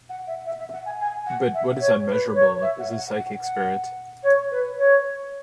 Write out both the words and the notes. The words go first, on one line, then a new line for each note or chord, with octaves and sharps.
But what is unmeasurable is the psychic spirit.
F#5
E5
E5
E5
F#5
G#5
G#5
F#5
E5
C#5
B4
C#5
E5
F#5
F#5
F#5
F#5
C#5
B4
C#5